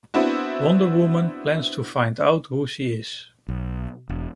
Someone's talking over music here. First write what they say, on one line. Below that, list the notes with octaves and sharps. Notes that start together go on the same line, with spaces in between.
Wonder Woman plans to find out who she is.
B3 C4 D4 E4 F#4
B1
E1